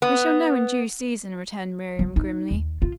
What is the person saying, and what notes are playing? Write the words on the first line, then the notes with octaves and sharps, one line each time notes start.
"We shall know in due season," returned Miriam grimly.
B3
F#3
D#4
D#2
F4